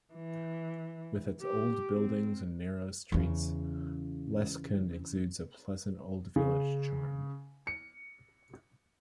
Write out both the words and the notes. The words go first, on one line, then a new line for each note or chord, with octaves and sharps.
With its old buildings and narrow streets, Lescun exudes a pleasant old village charm.
E3
G4
C4
E2 C#3
C#3
C#7